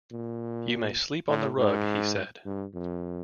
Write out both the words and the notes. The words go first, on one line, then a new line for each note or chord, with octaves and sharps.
"You may sleep on the rug," he said.
A#2
A2
G#2
G2
F2